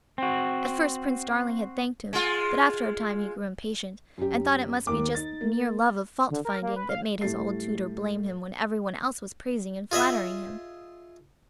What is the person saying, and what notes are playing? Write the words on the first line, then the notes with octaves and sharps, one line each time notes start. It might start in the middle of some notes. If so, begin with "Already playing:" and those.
At first Prince Darling had thanked him, but after a time he grew impatient and thought it must be just mere love of fault-finding that made his old tutor blame him when everyone else was praising and flattering him.
C4 F#4
G#3 F4
F#2 G4
D#2 A#4 D6
D#4 A6
A#3
D3
A#4
A#3
B4
F5
A2 G3 A3 G4 A6 C7
F4 G#4 D#5 E5